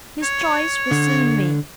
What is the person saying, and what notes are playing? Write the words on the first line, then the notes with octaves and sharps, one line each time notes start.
His choice was soon made.
C#5
D3